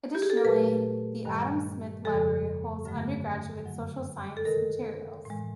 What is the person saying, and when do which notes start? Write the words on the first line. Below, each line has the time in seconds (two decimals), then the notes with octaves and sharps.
Additionally, the Adam Smith library holds undergraduate social science materials.
0.15 G4
0.22 G#4
0.30 A4
0.37 A#4
0.45 A#2 F#3 A3 B4
1.25 G2 D#3 G3
2.05 F2 C#3 F3 G#3 A4
2.85 G2 D3 F#3 A3
3.65 F#2 D3 F#3
4.37 A4
4.45 C3 D#3 G#3 A#4
5.25 A2 E3 G#3